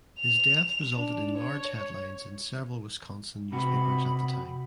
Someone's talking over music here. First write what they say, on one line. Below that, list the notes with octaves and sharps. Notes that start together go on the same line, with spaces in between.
His death resulted in large headlines in several Wisconsin newspapers at the time.
F7
D4
C#5
C3 F#4 B5